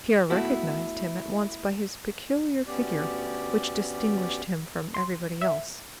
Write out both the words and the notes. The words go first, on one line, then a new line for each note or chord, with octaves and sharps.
Pierre recognized him at once by his peculiar figure, which distinguished him from everybody else.
A3 B3 E4 F#4 A4
D2 B3 C#4 G4 D5
C6
E5